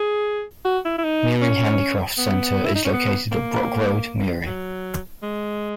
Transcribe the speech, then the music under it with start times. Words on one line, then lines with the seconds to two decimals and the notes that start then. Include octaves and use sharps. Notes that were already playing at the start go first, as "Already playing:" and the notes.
Miri Handicraft Centre is located at Brooke Road, Miri.
Already playing: G#4
0.65 F#4
0.85 E4
0.98 E4
1.04 D#4
1.42 C#4
2.18 B3
2.65 E4
2.75 D#4
2.85 C#4
2.93 B3
3.32 A#3
4.46 F#3
5.22 G#3